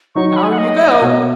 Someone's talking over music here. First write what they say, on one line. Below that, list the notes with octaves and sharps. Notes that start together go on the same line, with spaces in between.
'Down you go!
F#3 D#4 F#4 C#5 C#6
C#6
B5
G#5
F#5
D#5
B2 B3 F#4 C#5